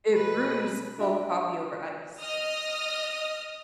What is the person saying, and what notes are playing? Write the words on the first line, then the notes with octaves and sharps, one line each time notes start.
it brews cold coffee over ice.
B2 B4
D4 F#4 G4 E5
D#5 D#6 F6 A#6